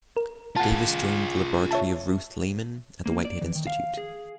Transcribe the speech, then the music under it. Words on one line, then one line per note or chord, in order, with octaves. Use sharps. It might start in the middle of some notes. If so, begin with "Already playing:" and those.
Davis joined the laboratory of Ruth Lehmann at the Whitehead Institute.
A#4
F4 G#4 F#5 A5
C#5 E5 A5
A#3
D5
E3
D#3
F5
G#4